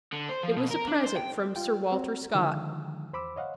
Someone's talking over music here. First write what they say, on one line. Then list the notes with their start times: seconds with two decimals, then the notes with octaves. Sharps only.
It was a present from Sir Walter Scott.
0.13 D3
0.29 C5
0.43 F3
0.57 B2
0.71 A#4
0.87 D4
1.04 C5
1.17 G5
1.56 F4 G5
1.92 C4 F#4
2.35 D3 D#3 F3 G#3
3.13 E2 C5 B5 D6 E6
3.36 C#5 D#5 F5 F#5